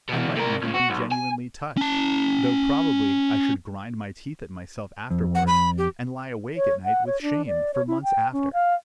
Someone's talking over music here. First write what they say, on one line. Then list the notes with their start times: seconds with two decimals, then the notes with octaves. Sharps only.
I might even be genuinely touched, though probably I should grind my teeth at myself afterwards and lie awake at night with shame for months after.
0.09 B2 E3
0.36 C3 A#4
0.61 C#2 C#3
0.74 F#4
0.90 B1
1.11 G#5
1.77 C#4 A5
5.10 F2
5.35 F#5
5.47 B5
5.78 G4
6.57 C#5
6.85 F#5
7.07 C#5
7.22 D4
7.47 D5
7.74 C#5
7.88 E4
8.03 G5
8.33 C#4
8.53 F5